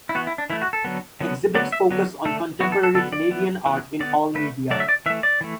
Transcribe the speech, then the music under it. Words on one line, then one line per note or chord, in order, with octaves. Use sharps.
Exhibits focus on contemporary Canadian art in all media.
E4
E3 B3 F#4
E4
D4
E3 A3 E4
F#4
A4
D3 F#3 B3
D3 F#3 B3
D3 F#3 B3 D5
E5
D3 F#3 B3
D3 A3 A4
E3 B3 F#4
A4
A4
D3 B3 A4
D5
E3 B3
E3 B3
D3 B3 D5
D3 A3 B4
D3 F#3 A3 D5
E5
D5
E3 A3 E5
D5
E3 A3